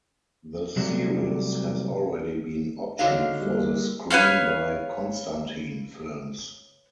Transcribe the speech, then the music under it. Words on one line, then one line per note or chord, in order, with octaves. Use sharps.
The series has already been optioned for the screen by Constantin Films.
C3 F#3 G3 A3
D3 D#4 F#4 C#5 F5
G3 A#3
B4 C#5 F5 F6